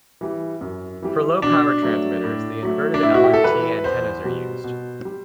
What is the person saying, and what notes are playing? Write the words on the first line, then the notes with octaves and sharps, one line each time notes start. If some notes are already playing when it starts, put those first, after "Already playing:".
For low power transmitters, inverted-L and T antennas are used.
E3 G3
F#2
E3 G3
B2 D4
F#3 A3
A2
F#3 A3
D4
A2 E4
F#4
G4
A4
E3 G3 B4
E2 C5
B2 G3
B2
G3